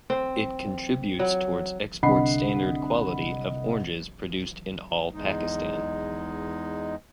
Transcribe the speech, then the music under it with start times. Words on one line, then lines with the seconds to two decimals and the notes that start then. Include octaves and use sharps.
It contributes towards export standard quality of oranges produced in all Pakistan.
0.10 C4
1.19 F#3
2.03 C2 D3 D#5 F#5 B5 C7
5.13 E2 G#3 D#4